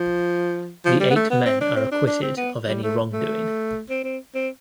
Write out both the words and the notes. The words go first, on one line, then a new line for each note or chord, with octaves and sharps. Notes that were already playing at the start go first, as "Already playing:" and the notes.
The eight men are acquitted of any wrongdoing.
Already playing: F3
F3
G3
B3
A3
B3
C4
D4
C4
D4
D4
C4
B3
G3
A3
A3
C4
C4
C4